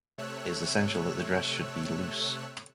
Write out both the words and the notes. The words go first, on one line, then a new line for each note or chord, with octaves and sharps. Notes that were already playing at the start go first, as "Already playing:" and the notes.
It is essential that the dress should be loose.
C3 A3 C#5 E6 F#6